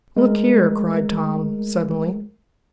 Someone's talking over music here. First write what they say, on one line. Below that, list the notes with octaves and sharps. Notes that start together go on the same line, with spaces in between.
"Look here!" cried Tom, suddenly.
G#3 A3 A#4